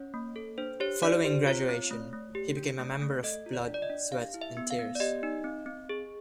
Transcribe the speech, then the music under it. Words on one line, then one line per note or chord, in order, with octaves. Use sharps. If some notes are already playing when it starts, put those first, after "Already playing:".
Following graduation, he became a member of Blood, Sweat and Tears.
Already playing: C#4 C#5
A#3
A4
D4 C5
G4 C#5
D4 D5
G4 C5
F4 C#5
C4
A3
A3
G4
D4
A3
A3
A4 D#5
F4
D5
D4
D5
D#5
D4
G4 F5
E4
E5
B3
F5
B3
D5
G4 D#5
D#4
C4
C4
G#4